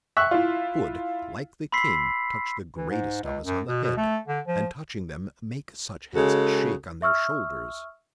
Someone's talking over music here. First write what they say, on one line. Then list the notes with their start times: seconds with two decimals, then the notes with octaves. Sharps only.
He could, like the king, touch the greatest of us on the head, and touching them make such heads shake on their shoulders.
0.17 E5 C#6 F#6
0.31 E4 F4
1.72 B5 C6 E6 B6 C7
2.77 E3
2.90 G#2
3.23 C#2
3.44 F#2
3.68 B2
3.84 B2
3.98 A3
4.28 D3
4.47 F3
6.14 C#3 G#3 F#4 A4
7.02 E5 C#6 E6 F6